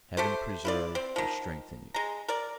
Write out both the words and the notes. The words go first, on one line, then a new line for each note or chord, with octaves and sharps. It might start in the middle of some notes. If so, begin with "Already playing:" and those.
Heaven preserve and strengthen you!
A3 G4 C5
E4 F4 D5
C4
D#3 F3
G#3 A#5
A#4 D5